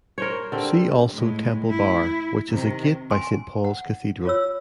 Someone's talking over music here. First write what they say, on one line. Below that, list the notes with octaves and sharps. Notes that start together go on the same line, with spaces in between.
See also Temple Bar which is a gate by Saint Paul's Cathedral.
A#4 C5 C#5
D3 C4 G4
A2 G#3
E4
C3 D#3
G#5 C6
F#5
F4 C#5 E6